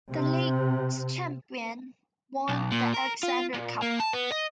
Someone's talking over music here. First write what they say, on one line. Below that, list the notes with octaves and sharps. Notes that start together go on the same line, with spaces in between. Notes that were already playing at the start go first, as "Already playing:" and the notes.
The league's champion won the Alexander Cup.
C3
B1
A#2
A#4
F4
A#2
A#3
A5
B3
D#5